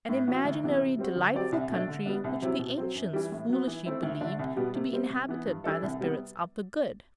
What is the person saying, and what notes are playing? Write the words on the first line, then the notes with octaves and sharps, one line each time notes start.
An imaginary delightful country which the ancients foolishly believed to be inhabited by the spirits of the good.
A2
E3 B3 F#4
D2
C3 E3 B3 E4
C3
G3 C4 F#4
D3
F#3 C4 G4 D5
C2
B2 A3 D4
D3
G3 B3 D4
C2
C3 F#3 C4 E4
B2
F#3 C4
F#2
E3 G3
A2
F#3 B3
E3
A3 C4 E4
D2
D3 A3 D4
C2
B2 G3 B3
C3
G3 C4
C3
E3 B3
G2
E3 G3 D4 A4
C2
C3 G3 B3